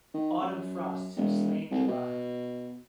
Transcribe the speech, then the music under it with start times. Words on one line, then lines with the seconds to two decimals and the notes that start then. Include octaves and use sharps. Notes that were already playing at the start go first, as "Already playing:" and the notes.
Autumn frosts have slain July.
0.14 D#3
0.42 F#2
1.17 E1
1.70 C2
1.88 B2